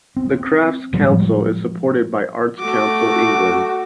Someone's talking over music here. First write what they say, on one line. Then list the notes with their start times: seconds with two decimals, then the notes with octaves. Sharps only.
The Crafts Council is supported by Arts Council England.
0.16 C4
0.93 A2 F3 G3 G#3
2.59 A3 F#4 D6